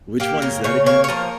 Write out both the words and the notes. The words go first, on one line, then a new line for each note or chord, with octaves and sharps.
Which one's that again?
A#3 G4
C#3 A#4
C#3 C#5
A#3 C#5
C#5
F3 A#4